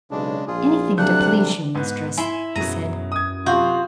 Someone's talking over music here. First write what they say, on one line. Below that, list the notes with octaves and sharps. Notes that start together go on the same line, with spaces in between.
"Anything to please you, Mistress," he said.
B1 C#3 G#3 D4
A#1 F4 G#4
D2 C3 F#3 G3 D4 F#6
G#2 B3
E4 E5 G#5 C6
F#2 B2 G#4 A#5 D#7
D#6 G#6
C3 F4 F#4 F5 G6